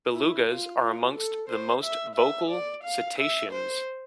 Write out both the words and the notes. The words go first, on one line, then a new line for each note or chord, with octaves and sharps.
Belugas are amongst the most vocal cetaceans.
E4
F4
F4
A4
C5
E5
E5
D5
F5
E5
C5